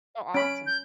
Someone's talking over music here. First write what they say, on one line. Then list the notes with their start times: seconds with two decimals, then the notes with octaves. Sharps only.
Oh, awesome.
0.34 C#4 B5 D7
0.66 G6